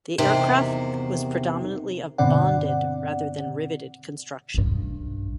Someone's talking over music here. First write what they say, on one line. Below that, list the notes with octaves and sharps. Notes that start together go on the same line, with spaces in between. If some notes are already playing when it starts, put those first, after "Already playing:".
The aircraft was predominantly of bonded, rather than riveted, construction.
E2 C3 D#3 C5
G2 B2 D3 C4 D5 F#5
B1 G2